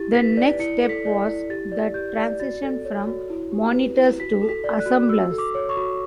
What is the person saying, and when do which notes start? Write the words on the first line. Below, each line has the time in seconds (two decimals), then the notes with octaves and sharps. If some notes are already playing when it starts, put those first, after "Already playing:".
The next step was the transition from monitors to assemblers.
Already playing: E4 G4 A6
0.15 B4 B6
0.37 D5
0.59 E4 C#7
0.83 A4
0.89 B6
1.05 D5
1.27 E4
1.50 G4 A6
1.72 D5
1.94 G4 G6
2.18 D5
2.40 F#4 A6
2.63 A4
2.85 C#5
3.07 F#4
3.30 E4
3.52 G4
3.74 B4
3.97 E4
4.20 F#4 B6
4.42 A4
4.49 B6
4.64 D5
4.80 F#6
4.86 F#4
5.08 F#4 E6
5.31 A4
5.38 D6
5.55 C#5
5.69 C#6
5.77 F#4